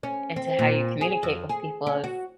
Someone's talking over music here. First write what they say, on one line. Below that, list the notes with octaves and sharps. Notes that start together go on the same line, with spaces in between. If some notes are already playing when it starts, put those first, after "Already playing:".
into how you communicate with people is
C#4
C4
A#2
G#4
F2
G#4
C#4
F#4